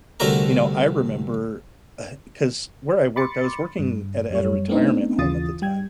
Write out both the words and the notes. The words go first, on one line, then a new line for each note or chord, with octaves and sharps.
you know, I remember, uh 'cause where I worked, I was working at a at a retirement home at the time,
C2 D3 A3 F#4 A#4 A#5
B5 C6 D6 A6 C#7
G2
F#2 G3 C#5
A3 B3 C4 D4 D#4
D#2 C#3 E3 F4 D#6 A6
G3 G5 G#6